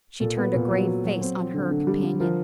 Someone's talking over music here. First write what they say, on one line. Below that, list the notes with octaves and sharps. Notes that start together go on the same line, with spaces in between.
She turned a grave face on her companion.
A#2 A4
B3
A#2
F#3
F#3
F#3
C4
C4
D3
D3
G3
D3
F3 A#4